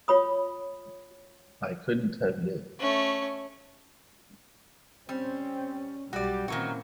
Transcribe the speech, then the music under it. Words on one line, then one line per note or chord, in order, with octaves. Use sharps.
I couldn't have lived.
F4 C#5 B5 D#6
A3 C#4
G3 C4 C#4
B1 G3 F#4 D5
A#2 D#3 E3 F#3 A#3 C4 C#4 F#4